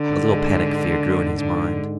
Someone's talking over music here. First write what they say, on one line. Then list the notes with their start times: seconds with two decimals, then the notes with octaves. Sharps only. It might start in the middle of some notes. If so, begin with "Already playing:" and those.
A little panic-fear grew in his mind.
Already playing: D3 D4
0.10 G#2
0.29 G#3
0.46 G#2
0.64 D4
0.82 G#2
1.01 G#3
1.19 G#2
1.37 D3 D4
1.55 G#2
1.73 G#3